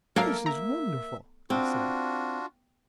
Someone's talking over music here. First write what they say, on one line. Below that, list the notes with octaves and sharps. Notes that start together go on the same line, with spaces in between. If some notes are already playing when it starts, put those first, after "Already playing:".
"This is wonderful," I said.
F#3 A#3 D4 A4 A#4 E5 F5
E5 A#5
C4 D4 F4 F#4